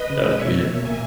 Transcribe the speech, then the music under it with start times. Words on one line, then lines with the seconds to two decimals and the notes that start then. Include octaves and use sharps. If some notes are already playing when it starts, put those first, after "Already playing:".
Uh, do you have
Already playing: B4 D#5
0.10 C#3
0.24 G#3
0.39 B2 C#5 E5
0.55 B2
0.70 A#3
0.85 A#2 E5 G#5